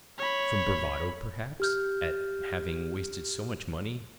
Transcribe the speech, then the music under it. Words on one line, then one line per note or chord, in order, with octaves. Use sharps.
From bravado perhaps ... at having wasted so much money....
C#5 B5
G4 F6 G6